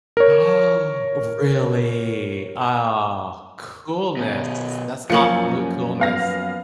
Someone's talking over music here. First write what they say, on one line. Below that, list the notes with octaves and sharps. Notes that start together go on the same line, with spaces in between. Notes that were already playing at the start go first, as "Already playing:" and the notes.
Ah, oh, really? Ah, coolness. That's absolute coolness,
A#4 C#5
B2 C#4
F#2 F3 A#3 C#4 C#7 F#7
B3 F5 A#6